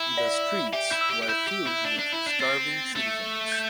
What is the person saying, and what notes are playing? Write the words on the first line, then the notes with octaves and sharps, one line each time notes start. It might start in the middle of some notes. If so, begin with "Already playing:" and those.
The streets were filled with starving citizens.
Already playing: E4 E5
D5
G4 E5
E4 G6
E6
G4
G4
E4 G6
G4
E4
D4
D4
E4
D4
C4 A6
A3
G6